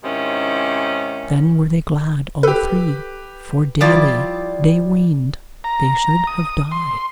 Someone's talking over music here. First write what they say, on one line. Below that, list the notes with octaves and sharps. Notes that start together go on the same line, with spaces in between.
Then were they glad all three, for daily they weened they should have died.
G#2 C3 D#3 C#4 E4
G4 A4 B4
F3 G3 E4 F4 D5
A#5
D#6
C6